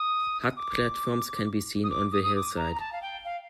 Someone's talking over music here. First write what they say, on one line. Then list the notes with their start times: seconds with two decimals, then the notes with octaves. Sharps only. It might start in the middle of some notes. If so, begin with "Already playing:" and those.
Hut platforms can be seen on the hillside.
Already playing: D#6
0.57 D6
1.83 D#6
1.90 D6
2.12 D#6
2.23 D#6
2.35 D6
2.56 A#5
2.75 A#5
2.80 A5
2.92 F5
3.02 G5
3.25 F5